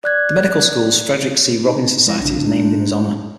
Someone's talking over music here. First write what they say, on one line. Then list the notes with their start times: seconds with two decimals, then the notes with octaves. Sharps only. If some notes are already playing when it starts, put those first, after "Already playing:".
The medical school's "Frederick C. Robbins Society" is named in his honor.
0.04 D5 F#6 G#6
1.65 D#4
2.07 F3 G#3 E4 A#6
2.22 A#1 C#3 D4
2.45 G#3 D#4